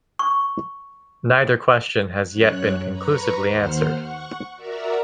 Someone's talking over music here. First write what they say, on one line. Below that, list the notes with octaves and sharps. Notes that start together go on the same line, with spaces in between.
Neither question has yet been conclusively answered.
C#6
F#2 C#5 F#6
B4 A#5 B5 C#6
D#2 C5 F#5 F6
F#5 C#6
F#4 A#4 D5 E5 A#5